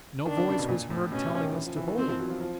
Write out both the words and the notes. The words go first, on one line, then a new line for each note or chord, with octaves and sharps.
No voice was heard telling us to hold!
D#3 D4
D3
C#3
B2
A#2
A2
B2 C#4
C3
D#3
E3
F3
E3
D#3
E3 C4
F3
F#3
F3
F3